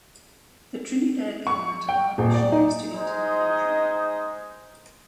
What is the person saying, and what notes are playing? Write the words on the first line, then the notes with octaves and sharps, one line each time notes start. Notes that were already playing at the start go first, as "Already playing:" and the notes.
The Trinidad government allowed missionaries to enter the country.
C#6
G5
D#1
D5
D#4
G#3 D#4 C5 D#5